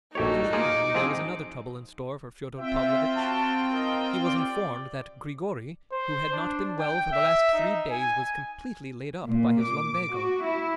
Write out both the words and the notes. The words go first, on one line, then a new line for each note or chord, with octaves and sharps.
In the evening there was another trouble in store for Fyodor Pavlovitch; he was informed that Grigory, who had not been well for the last three days, was completely laid up by his lumbago.
A#1 D#4 F#4 G4 A4 C#5
A#3 F4 G#4 D6
F3 C4 G#4
C4 F4 E5 G5
F#4 A5
D#4 A#4 D#5
G4 D5
C5
D4
G5
E5
D#4
G#5
A#2
D6
F#4
E4